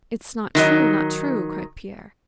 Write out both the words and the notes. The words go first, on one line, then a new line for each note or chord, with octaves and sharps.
"It's not true, not true!" cried Pierre.
D#3 F#3 D#4